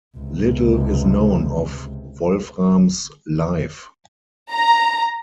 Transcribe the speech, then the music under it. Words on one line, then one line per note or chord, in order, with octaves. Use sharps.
Little is known of Wolfram's life.
C#2 C3
A#5